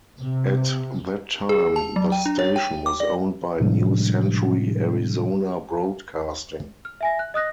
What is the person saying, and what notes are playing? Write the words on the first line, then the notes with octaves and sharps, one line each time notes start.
At that time, the station was owned by New Century Arizona Broadcasting.
C3
G#4
A5
F#3
G5
D4
C#5
G5
D6
D5
A2 C3 F3 G3 G#3 D4
F6
E5 G#5 A#6
F#6
D#5 D#6 F#6 A#6